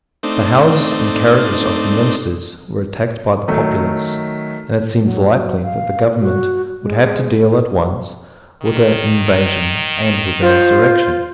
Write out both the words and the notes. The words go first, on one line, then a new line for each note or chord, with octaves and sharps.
The houses and carriages of the ministers were attacked by the populace; and it seemed likely that the government would have to deal at once with an invasion and with an insurrection.
A3 C4 D4 D#4
D#3 F#3 A3
F#3
F5
F#4
G#3
D#3
F4 C5